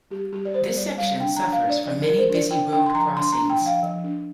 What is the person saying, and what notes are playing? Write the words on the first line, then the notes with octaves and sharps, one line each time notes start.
This section suffers from many busy road crossings.
G3 G4
G3 G4
D5
G3 C5
G3 D5
G3 F5
D4 G5
A#5
D4
F5
D4
D5
F3 D5
A#4
F3
C5
D4 D5
D4 G5
D4 G5
C6
F3 A#5
D4 C6
A#5
D4
G5
F3
F5
F3
D4